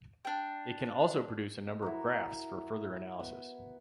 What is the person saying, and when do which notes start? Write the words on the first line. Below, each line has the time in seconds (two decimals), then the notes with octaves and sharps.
It can also produce a number of graphs for further analysis.
0.25 D4 G5
1.82 E4 F#4 A#4
3.20 B3